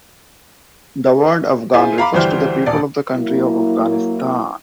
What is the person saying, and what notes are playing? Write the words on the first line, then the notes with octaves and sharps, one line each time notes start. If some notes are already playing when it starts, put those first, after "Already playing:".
The word "afghan" refers to the people of the country of Afghanistan.
E4 F4 G#4 C5 G#5
F5 A#5 B5 D6
D2 E3 G3 C5 G5 F6
D#1 D5
F#3 A#3 E4